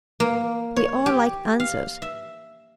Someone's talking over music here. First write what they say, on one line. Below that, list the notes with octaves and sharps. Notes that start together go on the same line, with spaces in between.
We all like answers.
A#3
C#5
G4
F5
E5